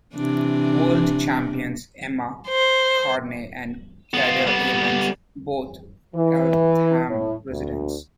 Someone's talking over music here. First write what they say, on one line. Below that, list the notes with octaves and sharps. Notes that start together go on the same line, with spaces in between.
World Champions Emma Carney and Cadel Evans both Eltham residents.
C3 E3 D4
C5
B3 F4
G3 B3
E3
A2
D2